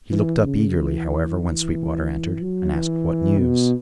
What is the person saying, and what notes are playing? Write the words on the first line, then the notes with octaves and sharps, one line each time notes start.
He looked up eagerly, however, when Sweetwater entered, and asked what news.
E3
C#3
E3
E3
E3
F#3
E3
B2